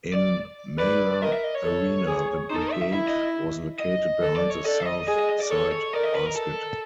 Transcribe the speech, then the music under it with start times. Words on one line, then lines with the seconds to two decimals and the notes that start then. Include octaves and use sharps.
In Malha Arena, the Brigade was located behind the south side basket.
0.15 D5
0.78 B4 D5
1.22 A#4 D#5
1.33 E5
1.44 D#5
1.55 C#5
1.65 A4
2.07 G#4
2.50 D#4 C5
2.56 A4
2.62 A#4
2.72 E5
2.82 E5
2.93 E4 E5
3.08 D#5
3.80 D#5
4.21 A4
4.36 D5
4.50 C#5
4.64 A4 D5
4.80 E5
4.85 D#5
5.08 G#4 D#5
5.19 D#5
5.29 D#5
5.40 D5
5.50 A4 C#5
5.71 C#5
5.93 A#4 D5
6.03 D#5
6.15 B4
6.26 A#4
6.36 A4